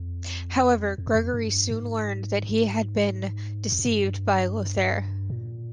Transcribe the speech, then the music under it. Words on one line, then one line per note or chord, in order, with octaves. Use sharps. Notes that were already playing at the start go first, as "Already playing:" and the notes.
However, Gregory soon learned that he had been deceived by Lothair.
Already playing: F2
F2
F#2
F2
G2
G#2
F2
F#2
G2
A#2